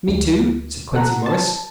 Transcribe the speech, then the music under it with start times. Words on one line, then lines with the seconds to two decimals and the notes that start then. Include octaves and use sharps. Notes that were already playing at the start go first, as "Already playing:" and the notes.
"Me too?" said Quincey Morris.
0.08 D2
0.93 B2 A4 F#5 A#5
1.26 A5